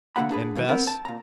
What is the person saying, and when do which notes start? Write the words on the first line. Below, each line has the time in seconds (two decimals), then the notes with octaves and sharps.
And Bess?
0.16 D2 D3 A#3 G4 F#5 B5
0.31 D4 G#4 B4
0.55 G2 B2 D#3 E3
0.68 B3 C4 A#4
0.87 A5
1.05 A#2 A#5